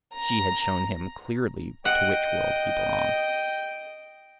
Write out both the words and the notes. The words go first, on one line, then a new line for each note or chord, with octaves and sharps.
She had shown him clearly to which world he belonged.
A#5
D#5 F#5 G5